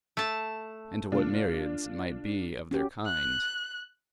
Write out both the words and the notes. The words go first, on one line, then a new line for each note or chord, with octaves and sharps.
And to what myriads, it might be, of their kind?
A3 A5
C3 G#3 A#3 D4 F4
C#4 F#4 G4
F#6